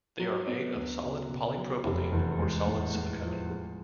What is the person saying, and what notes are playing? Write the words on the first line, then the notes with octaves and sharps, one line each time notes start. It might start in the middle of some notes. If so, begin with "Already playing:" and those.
They are made of solid polypropylene or solid silicone.
F#3
B3
D2
C#3
B2
F#3
F1
E2
G#3
A2
A2
F3
G#3